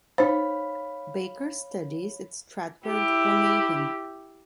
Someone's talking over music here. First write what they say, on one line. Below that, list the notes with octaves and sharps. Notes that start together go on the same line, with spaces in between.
Baker studies at Stratford-upon-Avon.
D#4 C5 C#5 F5 B5
E4 G4